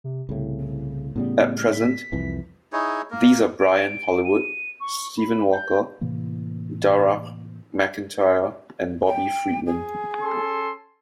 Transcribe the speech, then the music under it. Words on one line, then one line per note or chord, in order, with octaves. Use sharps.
At present, these are Brian Hollywood, Stephen Walker, Darragh MacIntyre and Bobby Friedman.
C3
C2 A2 C#3
A2 C#3 G3 B3
F6
B6
C2 F2 E3
D#4 E4 G#4 C#5
A#3 A#4
D7
D#7
C#6
B5
G6
A2 C3 E3 A#3
G5
G#4
C#4 A4 C6